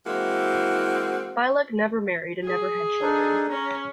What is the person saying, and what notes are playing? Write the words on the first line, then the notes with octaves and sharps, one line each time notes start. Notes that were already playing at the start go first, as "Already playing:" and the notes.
Bilac never married and never had children.
E3 G#3 A#3 C4 E4 F#4
G#4
D4 D#4 A4
C#4 A#5